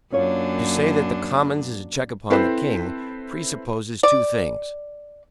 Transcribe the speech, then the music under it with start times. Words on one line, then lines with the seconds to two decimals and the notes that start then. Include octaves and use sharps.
To say that the commons is a check upon the king, presupposes two things.
0.12 F#2 A#3 C#4 D4 F4 C#5
2.30 C4 E4 A4 B4 C5
4.03 D5